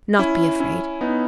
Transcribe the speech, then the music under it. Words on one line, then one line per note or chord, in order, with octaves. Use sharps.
Not be afraid.
C#4 E4
C#4 E4
B3 D#4